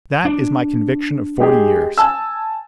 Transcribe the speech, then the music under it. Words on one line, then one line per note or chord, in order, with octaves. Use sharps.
That is my conviction of forty years.
D4
G#3 G4 G#4
G#5 A5 E6